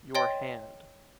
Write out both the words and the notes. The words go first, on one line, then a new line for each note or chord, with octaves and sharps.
Your hand.
C#5 D#5 G5 C6 A6